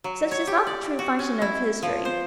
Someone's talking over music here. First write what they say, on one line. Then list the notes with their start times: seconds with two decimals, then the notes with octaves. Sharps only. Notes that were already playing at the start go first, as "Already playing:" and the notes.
Such is not the true function of history.
0.04 F#3
0.31 C#5
0.47 G4
0.67 D5
0.99 F#4
1.19 C#4
1.42 E4
1.83 F3
2.05 C5